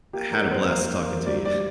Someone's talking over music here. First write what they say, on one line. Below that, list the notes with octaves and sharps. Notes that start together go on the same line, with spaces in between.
had a blast talking to you.
A#3 G4
A#4
F2
C5
A#3 C5
A#3
G3 D5
D5
G3